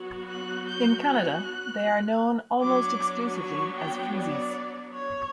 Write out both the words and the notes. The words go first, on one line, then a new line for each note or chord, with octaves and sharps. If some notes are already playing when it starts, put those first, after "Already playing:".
In Canada they are known almost exclusively as 'freezies'.
Already playing: F#3 B3 F#4
F#6
G6
F#6
F#3 B3 D4 F#4 D6
C#6
G5
D5
C#5